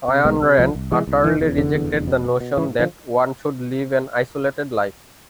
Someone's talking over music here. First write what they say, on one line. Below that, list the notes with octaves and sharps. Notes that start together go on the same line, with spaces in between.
Ayn Rand utterly rejected the notion that one should live an isolated life.
C3
C2 G#3 B3
C3
C2 F3 A3
C2
C3 E3 G#3
C2
F1 E3
E2
F1 D3
E2
F1
B2
B2
B2
G#2 E3
D3 F3